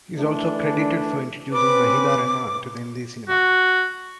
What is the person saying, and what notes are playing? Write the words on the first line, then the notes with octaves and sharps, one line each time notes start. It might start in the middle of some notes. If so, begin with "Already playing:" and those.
He is also credited for introducing Waheeda Rehman to the Hindi cinema.
E3 A3 D4
C4 C#4 B4 D6
F#4